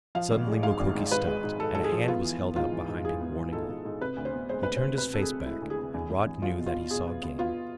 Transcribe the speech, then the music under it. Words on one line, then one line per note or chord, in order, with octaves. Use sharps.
Suddenly Mukoki stopped, and a hand was held out behind him warningly. He turned his face back, and Rod knew that he saw game.
F3 F5
G#1
G#3
G#2 F5
G#1
G#2
G#1 B4
G#3
G#2
G#3 A4
G#2 A4
G#4
F3
B3 F4
E3
B3
G#2 F4
E3
G#2
E3 G#4
B3
E3
G#2 A4
G#2
G#2
C3 B4
D2
C5
B3
G#3 C5
D2 B4
D2 C5
C3 B4
C3 A4
G#4
C3
G#3 E4
D2
G#4
C3
E2
E2
E2
E2 F4
B2
F4
B2
B2 G#4
B3
B3
B3 F4